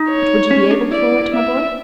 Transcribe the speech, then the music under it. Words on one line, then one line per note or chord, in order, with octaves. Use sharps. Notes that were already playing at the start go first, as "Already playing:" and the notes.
"But would you be able for it, my boy?"
Already playing: D#4
C#5
C#4
D4
E4 D5
E5